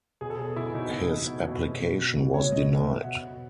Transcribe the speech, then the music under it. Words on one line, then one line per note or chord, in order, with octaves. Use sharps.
His application was denied.
B2 G#4
A4
B2 G#4
B2 E4
B2 D#4
B2
B2
B2
B2
B2
B2
B2
B2
B2 C#5
B2 D#5
B2
B2 E5
B2 F#5
B2